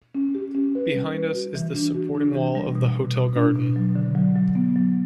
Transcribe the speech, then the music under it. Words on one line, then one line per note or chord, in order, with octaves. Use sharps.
Behind us is the supporting wall of the hotel garden.
C#4
G4
C#4
B4
G3
B4
F#4
E3
D4
F#4
D4
E3
G3
B2
B2
B2
D4
B2
F#3
D3
F#3
F#3
B3
F#3